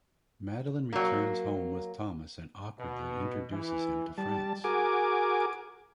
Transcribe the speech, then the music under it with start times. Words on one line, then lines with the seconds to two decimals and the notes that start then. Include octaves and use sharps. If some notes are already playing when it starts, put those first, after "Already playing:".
Madeleine returns home with Thomas and awkwardly introduces him to Franz.
0.93 F#3 A#3
2.78 B2
3.50 E3
4.18 G3 A5
4.64 F#4 G#4 A#4 G#5 D6